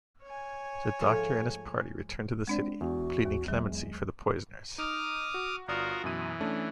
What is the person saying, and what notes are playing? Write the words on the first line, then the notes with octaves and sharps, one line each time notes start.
The Doctor and his party return to the city, pleading clemency for the poisoners.
C#5 G#5
G#2 F3 A3
G#3 C4 D4 D5
E2 F#4
D#2
F#3 G#3
D#4 D6 D#6 F6
F#4
G1 F4 F#4 A#4 D5 D#6
F#2 B2 E3 D#7
A3 C#4 D4